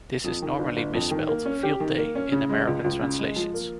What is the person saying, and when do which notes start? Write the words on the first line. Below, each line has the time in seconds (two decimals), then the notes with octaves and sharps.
This is normally misspelled "Field Day" in American translations.
0.24 F2
0.42 D#3
0.59 G1
0.77 G1
0.93 F2
1.11 D#3
1.28 A#3
1.46 C#4
1.63 G4
1.80 D#3
1.98 A#3
2.15 C#4
2.32 C#3
2.49 G#3
2.67 C#2
2.84 C#2
3.02 C#3
3.19 G#3
3.36 F3
3.54 A#3